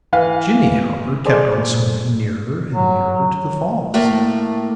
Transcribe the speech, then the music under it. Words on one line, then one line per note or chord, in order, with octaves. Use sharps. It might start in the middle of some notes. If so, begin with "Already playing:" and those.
Jimmie, however, kept on swimming nearer and nearer to the falls.
E3 B4 F5
G#4 A4 C5 D5
A#2
F#3
A2 A3 A#3